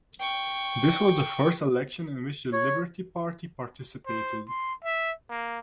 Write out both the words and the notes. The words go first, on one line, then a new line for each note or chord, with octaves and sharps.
This was the first election in which the Liberty Party participated.
G5 C#6
C#5
C5
C6
E5
A#3